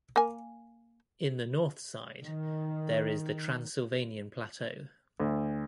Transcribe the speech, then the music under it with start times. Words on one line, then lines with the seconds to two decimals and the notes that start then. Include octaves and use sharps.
In the North side there is the Transylvanian Plateau.
0.16 A#3 G#5
2.24 D#3
5.20 D2